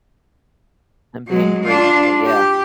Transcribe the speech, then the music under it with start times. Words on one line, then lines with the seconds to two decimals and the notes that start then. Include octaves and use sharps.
And being grateful. Yeah.
1.28 F#3 G#3
1.63 D4 F4
2.25 G4